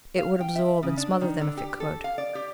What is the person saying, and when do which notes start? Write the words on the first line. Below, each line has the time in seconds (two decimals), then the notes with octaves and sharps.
It would absorb and smother them if it could.
0.18 F5
0.40 G5
0.56 E5
0.83 C#3
0.97 D4
1.21 D#3
1.41 D3
1.57 G4
1.80 A4
2.04 F5
2.18 D5
2.35 G4